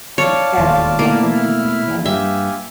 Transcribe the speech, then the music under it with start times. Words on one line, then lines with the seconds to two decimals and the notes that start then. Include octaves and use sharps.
Y that's exactly my point, yep.
0.18 C#5 D5 F5 A5
0.58 E1 D#2 A2 F4
0.99 B2 A3 A#3 E4
1.34 F6
2.05 G2 F4 G4 E5 G#5